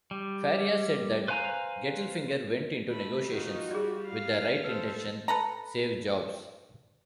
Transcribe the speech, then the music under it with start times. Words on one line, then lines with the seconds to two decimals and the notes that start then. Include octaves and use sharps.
Faria said that Gettelfinger went into negotiations with the right intention...Save jobs.
0.11 G3
1.28 B4 C5 F5 G#5 A#5
2.91 A3 B5
3.29 D#3 D#4 F4 F#4
3.71 G3 G#4 D5
4.08 F5
4.64 A4 B4 C5
5.28 A4 B4 A#5